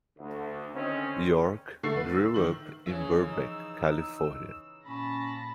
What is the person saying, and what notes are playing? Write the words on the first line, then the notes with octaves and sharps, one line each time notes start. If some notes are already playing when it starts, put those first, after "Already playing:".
York grew up in Burbank, California.
D2
D3 D#3 C4 C#4
D3 A3 A6 C7
B4
E6
D#3 F#7
C#3 E3 F3 C#4 E5
D#4 E6
A#2 C#4 A5 B5 A#6